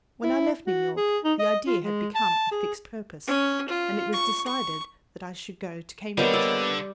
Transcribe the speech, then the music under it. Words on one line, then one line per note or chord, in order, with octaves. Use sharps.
When I left New York the idea had become a fixed purpose; and it was decided that I should go to Cambridge.
E4
F#4
G#4
D#4
D#5
F4
G#3
A5
G#4
C#4
F4
C#6
C#6
D3 G3 A#3 B3 G4 A#4 C#5 D#5
D5 E6